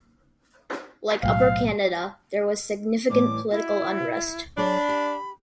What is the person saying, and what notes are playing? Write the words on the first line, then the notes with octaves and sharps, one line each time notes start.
Like Upper Canada, there was significant political unrest.
B1 A2 F#3 F5
A2 E3 G3 D6
E4 F#4
F#3 D4 G#4 C#5 B5
G4